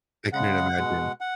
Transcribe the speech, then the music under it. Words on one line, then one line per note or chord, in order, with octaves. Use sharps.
I couldn't imagine.
C#3 G#3 F#5
B2 G#3
F#5